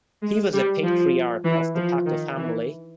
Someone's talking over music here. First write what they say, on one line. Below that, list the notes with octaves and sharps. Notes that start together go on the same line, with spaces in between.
He was a patriarch of the Packer family.
G#3
G3
F3
E3
F3
D#3
E3